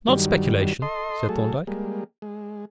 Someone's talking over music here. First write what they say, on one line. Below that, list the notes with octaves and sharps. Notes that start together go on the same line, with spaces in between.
"Not speculation," said Thorndyke.
G2 D#3 F#3 G3
A4 D#5 C6
F#3 A3 G#4 A4
G3 G#3 A#3
G#3